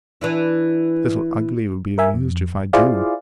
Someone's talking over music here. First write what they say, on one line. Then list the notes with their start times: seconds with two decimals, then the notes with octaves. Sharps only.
Little Ugly will be amused, if I do.
0.21 E3 D4 E4
1.98 A#4 E5 G#5
2.14 F2
2.73 E4 F4 G#4 C5 D5 F5